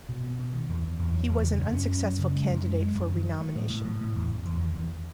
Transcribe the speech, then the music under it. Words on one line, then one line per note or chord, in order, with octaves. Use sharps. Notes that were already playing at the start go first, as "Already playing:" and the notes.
He was an unsuccessful candidate for renomination.
B2
B2
B2
D#3
E2
E2
E2
F#3
E2
C#3
F#2
C#4
F#2
F#3
C#3
G#3
F#2
G#3
G#3
F#2
D#3
F#3
A3
A2
A2
A2
A2
E2
E2
E2
D#3
E2